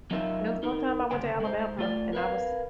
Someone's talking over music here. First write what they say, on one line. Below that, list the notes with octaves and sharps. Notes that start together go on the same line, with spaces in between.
There was one time I went to Alabama, and I was
F#3 C#4 D#4 F4 A#4 E5
D#4 A#4
D2 G2 C#3 C5 G5
G#3 C5
A3 F4 D5
A#4 B4 F5